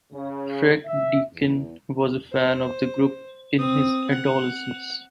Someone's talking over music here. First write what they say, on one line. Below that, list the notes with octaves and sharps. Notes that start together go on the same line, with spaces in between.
Fred Deakin was a fan of the group in his adolescence.
C#3
E5
E2
C5
C4 D#6
F#5